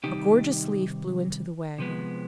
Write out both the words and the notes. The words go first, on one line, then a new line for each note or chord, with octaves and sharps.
A gorgeous leaf blew into the wagon.
C3 D#3 G3 D#4 G4
C3 F3 G#3 B3